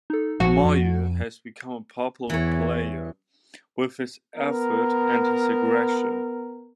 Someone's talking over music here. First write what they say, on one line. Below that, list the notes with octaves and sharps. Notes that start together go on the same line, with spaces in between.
Mair has become a popular player, with his effort and his aggression.
D#4 A4
A#1 F3 F#4
F2
E2 E3 C#5
B3 A#4